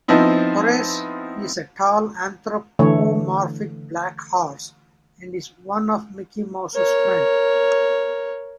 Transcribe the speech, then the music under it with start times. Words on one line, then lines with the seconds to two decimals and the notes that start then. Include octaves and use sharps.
Horace is a tall anthropomorphic black horse and is one of Mickey Mouse's friends.
0.08 F3 B3 C4 D#4 E4
2.79 D3 E3 A3 C#5
6.75 A#4 C#5